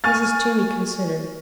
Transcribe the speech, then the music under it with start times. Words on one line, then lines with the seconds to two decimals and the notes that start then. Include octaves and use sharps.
Mrs. Toomey considered.
0.04 G#5 C#6 F6 A6